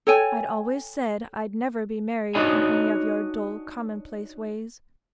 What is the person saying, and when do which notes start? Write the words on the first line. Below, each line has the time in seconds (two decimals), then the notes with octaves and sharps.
I'd always said I'd never be married in any of your dull, commonplace ways.
0.07 A4 C#5 G5 G#5
2.35 D4 D#4 F#4 C#5 D#5 G#5